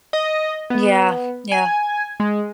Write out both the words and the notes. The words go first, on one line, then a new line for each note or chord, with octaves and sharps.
Yeah, yeah.
D#5
B3
G#5
G#3